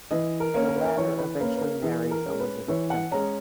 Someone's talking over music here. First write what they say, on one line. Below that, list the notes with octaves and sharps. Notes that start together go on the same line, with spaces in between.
The latter eventually marries Elizabeth Temple.
E3 D#5
A#4
A#3 C#4
A#4
B4
A#4
E3 C#5
B4
A#3 C#4 B4
B4
A#4
E3 G#4
A#4
G#3 C#4
B4
E3 C#5
F#5
G#3 C#4 A#5